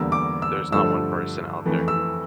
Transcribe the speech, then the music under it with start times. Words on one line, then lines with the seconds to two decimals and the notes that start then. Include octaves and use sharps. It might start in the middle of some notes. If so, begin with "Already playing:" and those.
there's not one person out there who
Already playing: E2 D3 G3 A#3 E6
0.12 D6
0.42 E6
0.72 G2 D3 F3 A3 E6
1.66 F2 E3 A3
1.88 E6